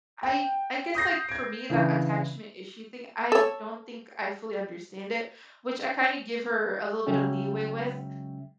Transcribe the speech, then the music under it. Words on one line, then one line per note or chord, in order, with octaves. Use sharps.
I I guess, like, for me, that attachment issue thing, I don't think I fully understand it, which I kinda give her a little bit of leeway with,
G5
D#6 G6 A#6 C7
G#6 D7
C#3 E3 D4
A4 C#5
C#3 F#3 G#3 C#4 E5 G5